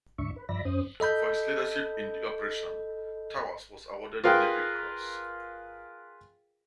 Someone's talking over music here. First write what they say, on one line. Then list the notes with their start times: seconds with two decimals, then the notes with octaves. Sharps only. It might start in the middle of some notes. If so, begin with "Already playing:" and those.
For his leadership in the operation, Towers was awarded the Navy Cross.
0.18 D2 G#2 D4 E5 C#6
0.36 B4
0.49 G2 F3 D5 E5 B5 A#6
0.65 F#2 C#4 C5 D#6
1.00 A4 D#5 B5 G6
4.24 F4 G#4 A#4 B4 F5 G5